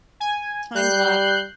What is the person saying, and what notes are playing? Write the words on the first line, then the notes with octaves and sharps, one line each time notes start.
time block,
G#5
G3 F#6 G6 C7